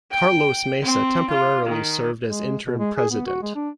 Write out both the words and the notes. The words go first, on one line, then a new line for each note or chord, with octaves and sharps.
Carlos Mesa temporarily served as interim President.
G5
C4
F4
D#3
G#3
B2
G#3
G#4
B3
F#4
G#3
D4